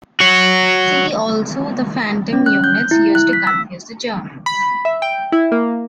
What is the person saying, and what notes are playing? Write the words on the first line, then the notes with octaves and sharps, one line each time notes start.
See also the "phantom" units used to confuse the Germans.
F#4 C#5
C#4
F#6
G6
E4
F#6
B6
E6
B5
E5
G5
E4
A#3